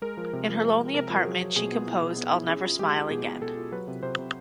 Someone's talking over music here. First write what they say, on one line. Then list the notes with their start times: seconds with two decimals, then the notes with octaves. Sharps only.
In her lonely apartment, she composed "I'll Never Smile Again".
0.02 G#3 A#4
0.17 F3
0.33 C3
0.48 F3
0.64 G#3
0.79 F3
0.94 C3 A#4
1.10 F3
1.25 F#3 G#4
1.41 F#3
1.56 B2 G#4
1.72 B3
1.87 E4
2.02 B2
2.18 B3
2.33 E4
2.48 C#4 G#4
2.64 F4
2.79 G#3 G4
2.95 G#3
3.11 B2 G#4
3.26 B2
3.42 B2 A4
3.57 F4
3.72 F#3 B4
3.88 C3
4.03 C3 C5
4.19 C3